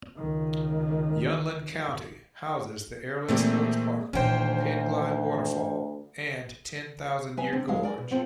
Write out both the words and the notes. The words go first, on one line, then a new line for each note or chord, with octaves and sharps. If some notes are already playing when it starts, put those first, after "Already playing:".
Yunlin County houses the Erlun Sports Park, Penglai Waterfall and Ten Thousand Year Gorge.
C#2 D#3
A#2 E3 G#3 A3 C4 G4
D2 A#2 D#3 E3 C#4 C5 G5
F#3 B3 B4 E5 G#5
D3 C4
D#2 F#3 G#3 G#4 F5
A#4 D5 G#5
B2
B3 C4 F4 A4